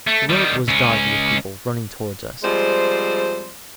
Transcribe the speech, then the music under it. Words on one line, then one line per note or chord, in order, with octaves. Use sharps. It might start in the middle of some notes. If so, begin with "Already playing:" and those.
The road was dotted with people running towards us.
A3
D#3 G3
C#2 C#4
F3 G3 G#3 C4 C5 D5